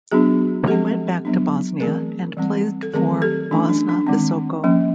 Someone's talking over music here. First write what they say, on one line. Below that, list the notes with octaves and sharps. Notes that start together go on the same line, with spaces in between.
He went back to Bosnia and played for Bosna Visoko.
F#3 B3 D4 F#4 G#4
F3 G#3 C4 G4 A4
F#3 B3 D4
E3 A3 C4 G#4 A#4
E3 G3 C4
A4
D#3 F#3 A3 C4 G#4 A#4
G4 A4
E3 A3 C#4 D4 E4
D4
D4
D#3 G#3 C4
F3 A#3 C#4